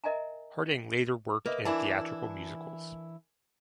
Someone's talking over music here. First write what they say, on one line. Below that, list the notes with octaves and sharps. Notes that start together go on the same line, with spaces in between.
Harding later worked in theatrical musicals.
A#4 D#5 E5 G#5 A#5
A#3 B4 D#5 E5
E3 D4 E4 A#4 G#5 A5